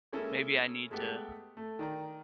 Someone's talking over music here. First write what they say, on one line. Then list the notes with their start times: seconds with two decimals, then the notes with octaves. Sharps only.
Maybe I need to
0.12 G#3 A#3 C#4 E4 A4
0.91 G#3 A3 B3 G4
1.57 A3
1.79 D#3 D5 A#5